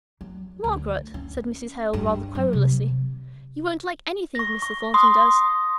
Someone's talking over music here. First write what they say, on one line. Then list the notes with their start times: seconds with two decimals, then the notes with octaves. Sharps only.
'Margaret!' said Mrs. Hale, rather querulously, 'you won't like anything Mr. Thornton does.
0.21 F#3
0.64 D2
1.14 C#4
1.93 G2
2.35 F#3
2.53 C3
4.35 C#6 A#6
4.62 C#6
4.94 C6 D#6